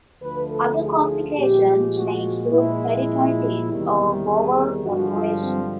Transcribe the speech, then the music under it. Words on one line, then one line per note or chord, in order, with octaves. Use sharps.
Other complications may include peritonitis or bowel perforation.
D2 D3 F3 A3 B4
A4
G#4
A#2 F3 G#3 G4
F#4
A#2 F3 G#3 E4
E2 C3 D#3 G3
G#4
G2 D3 F3 G#3 F#4
F4
C4